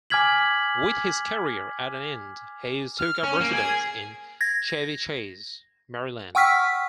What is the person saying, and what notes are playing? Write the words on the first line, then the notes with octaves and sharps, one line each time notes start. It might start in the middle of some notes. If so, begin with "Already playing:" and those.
With his career at an end, Hays took up residence in Chevy Chase, Maryland.
G#5 D6 F6 G#6 B6 F#7
F6
C#4
A#3
G#4 G#6
G#6 A#6
F#5 G5 C#6 E6 F6 B6